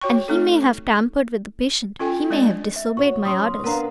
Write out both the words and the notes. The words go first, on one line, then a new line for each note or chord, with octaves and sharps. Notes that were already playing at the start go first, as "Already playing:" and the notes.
And he may have tampered with the patient--he may have disobeyed my orders.
F#4 C#5 G5 C#6
A3 C4 D#4 A4
C#4 F4 A4 G5 G#5
G#3 C4 D4 D5 D#5
E5
F#4 C#5 C#6
F#3 C#4 C6 D#6
B3 D4 A#4 B4 F5 A#5